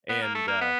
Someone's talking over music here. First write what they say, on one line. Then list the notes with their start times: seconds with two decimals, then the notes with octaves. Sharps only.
and, uh
0.09 B3
0.22 A#3
0.35 A3
0.48 A#3
0.61 B3